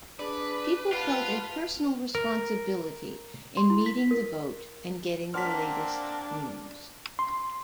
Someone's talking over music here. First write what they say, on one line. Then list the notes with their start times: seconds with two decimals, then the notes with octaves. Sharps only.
People felt a personal responsibility in meeting the boat and getting the latest news.
0.19 D4 G#4 B4 D5
0.93 F4 G4 F#5 A5 B5
2.15 A#4
3.57 C6
3.70 E4
3.86 B6
4.11 A#4
5.34 A#3 C4 D4 F#5 A5 C6 F6 B6
7.19 C6